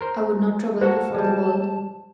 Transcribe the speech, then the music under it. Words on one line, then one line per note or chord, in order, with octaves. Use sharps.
I would not trouble you for the world.
A#4 C5
A#3 F#4 A4 C5 A5
G3 G#3